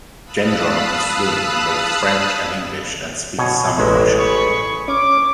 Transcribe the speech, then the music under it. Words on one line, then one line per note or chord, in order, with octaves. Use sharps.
Gendron is fluent in both French and English and speaks some Russian.
F5 A5 B5 D#6 E6 F#6
B2 C#5 G#5
A1 G#3 E4 F#4 A#5
G#4 B5 C#6
C#4 D6